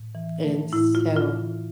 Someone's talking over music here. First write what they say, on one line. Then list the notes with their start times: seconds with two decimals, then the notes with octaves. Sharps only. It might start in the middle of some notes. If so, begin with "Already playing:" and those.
and so
Already playing: A2
0.15 E3
0.44 A3
0.73 A2 E4
0.95 F4
1.02 A2
1.16 F4
1.31 E3